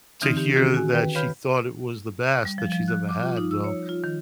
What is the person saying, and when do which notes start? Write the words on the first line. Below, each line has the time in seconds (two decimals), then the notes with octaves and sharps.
to hear that she thought it was the best that she's ever had, though.
0.22 D3 E3 C4 D#4 F6
0.37 G4
0.56 D#3 C#4 F#4 G#4
0.74 F#4 G#5
0.91 D#3 B4 G5
1.15 B4 C#5 F5 B5 F6 G6
2.45 G3
2.58 F3
2.72 F3
2.88 F#6
3.09 D6
3.22 F4
3.37 D#4
3.51 E6
3.64 C#5
3.89 F4
4.04 D#3